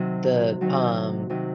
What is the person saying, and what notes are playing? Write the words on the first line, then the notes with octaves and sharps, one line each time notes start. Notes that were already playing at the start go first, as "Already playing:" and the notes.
the, um
Already playing: C3 D#3 F#3
C3 D#3 F#3
C3 D#3 F#3